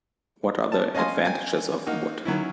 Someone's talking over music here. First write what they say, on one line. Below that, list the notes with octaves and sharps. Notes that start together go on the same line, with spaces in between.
What are the advantages of wood?
A5
C#4 D#5 F5 G#5 C6
G5 G#5
A#3 D#4 F#4
D#3 F#3 C#4 E4